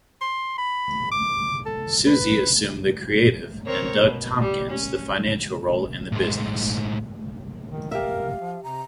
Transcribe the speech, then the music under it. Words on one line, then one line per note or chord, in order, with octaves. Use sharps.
Susie assumed the creative and Doug Tompkins the financial role in the business.
C6
B5
D6
A4
B4
C4 A#4 C#5
B2
G3
C#4
A2 G#3
D#3
G4 A#4 E5 F5
F3
C3 A#5